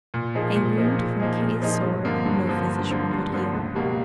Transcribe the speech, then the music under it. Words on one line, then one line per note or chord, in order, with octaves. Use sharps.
A wound from Kay's sword no physician could heal.
A#2
F3 A#3 D#4 G#4
A#2
F3 A#3 D#4 G#4
A#2
F3 A#3 D#4 G#4
A#2
F3 A#3 D#4 G#4
G2
D3 F3 A#3
G2
D3 F3 A#3
G2
D3 F3 A#3
G2
D3 F3 A#3
C#2
B2 G3 A#3